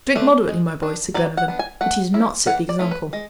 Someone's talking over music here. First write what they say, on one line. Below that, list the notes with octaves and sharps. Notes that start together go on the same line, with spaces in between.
"Drink moderately, my boy," said Glenarvan; but he did not set the example.
A3 D4
G#3
D4
F#3 D5
F#5
B3 D4
G#5
A3 F#5
C#4 E4
E3 F#5
D5
A3 C#4 E4
B4
G#3